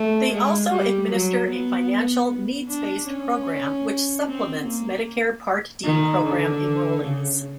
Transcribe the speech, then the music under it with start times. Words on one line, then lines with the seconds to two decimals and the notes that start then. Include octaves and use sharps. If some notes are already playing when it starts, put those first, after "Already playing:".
They also administer a financial needs-based program which supplements Medicare Part D program enrollees.
Already playing: A3
0.32 G#3
0.71 G3
1.10 F#3
1.51 B3
2.68 D4
3.08 C#4
4.27 C4
4.66 A#3
5.84 D#3
6.24 D3
7.03 C#3